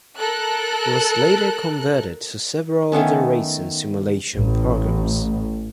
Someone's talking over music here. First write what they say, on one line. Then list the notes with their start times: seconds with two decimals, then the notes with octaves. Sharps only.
It was later converted to several other racing simulation programs.
0.19 A4 A#4 F#6
2.92 D#3 A3 B3 C#4
4.37 A1